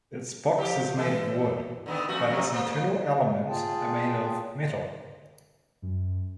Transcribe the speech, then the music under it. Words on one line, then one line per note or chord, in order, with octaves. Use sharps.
Its box is made of wood, but its internal elements are made of metal.
F3 G4
E3 A4
D3 D#3 B3
F2 A3 F#4
F2 C3 F#3
A#3 C5
F4 G#4 G5 A5
F#2